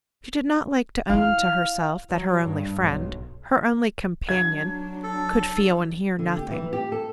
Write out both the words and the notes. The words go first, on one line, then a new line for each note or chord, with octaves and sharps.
She did not like to own to herself that her only friend, her only companion, could feel and hear nothing.
D#4 E4 F5 F6
F#3
G2
B1
F#3 D4 G#6
A4
D3
G4
E3
G4
A4